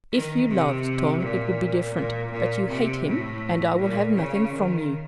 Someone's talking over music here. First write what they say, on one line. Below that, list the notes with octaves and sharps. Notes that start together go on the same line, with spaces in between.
If you loved Tom, it would be different, but you hate him, and I will have nothing from you.
D#3
C3
A#2
A#2
A#2
C3
A2
A#2
C#3
D#3